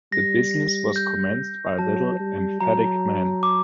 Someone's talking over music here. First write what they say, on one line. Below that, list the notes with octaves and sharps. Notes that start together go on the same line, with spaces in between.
The business was commenced by a little emphatic man.
G3 A#6
G6
F#3 A5
G3
F#3 A#5
D6